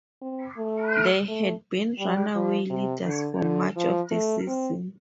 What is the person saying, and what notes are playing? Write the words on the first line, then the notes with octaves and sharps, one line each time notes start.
They had been runaway leaders for much of the season.
C4
A3
A3
G3
F3
C3
D3
D3
F3
A3
C4